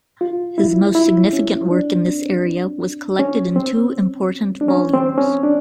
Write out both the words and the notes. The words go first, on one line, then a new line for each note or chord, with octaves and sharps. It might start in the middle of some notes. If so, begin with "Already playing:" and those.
His most significant work in this area was collected in two important volumes.
F4
E4
E4
C#4
D4
C4
C#4
C4
D4
C#4
C4
C#4
D4